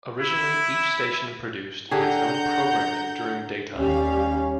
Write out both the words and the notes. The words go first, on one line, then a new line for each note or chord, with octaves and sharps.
Originally each station produced its own programming during daytime.
E4
D3 G4 G#4 F#5 A#5 G6
D#2 G3 C#4 F5